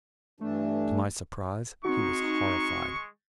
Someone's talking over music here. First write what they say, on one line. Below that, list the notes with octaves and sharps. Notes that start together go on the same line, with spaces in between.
To my surprise he was horrified.
G2 E3 A3 D4
G#3 C4 D#4 F#4 C#6